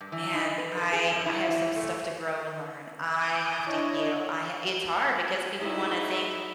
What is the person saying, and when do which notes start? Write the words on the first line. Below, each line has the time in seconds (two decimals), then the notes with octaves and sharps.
"Man, I I have some stuff to grow and learn, I have to heal, I ha" It's hard because people wanna think,
0.01 G2
0.12 E3
0.34 D#4
0.58 B4
0.77 B4
0.93 G#4
1.11 F#2
1.26 E4
1.48 E3
1.76 A3
3.17 G#5 D6 D#6 G6 D7 D#7
3.66 D4 E4 C#5 D#5
5.58 D#4 E4 F#4 G#4 B4 E5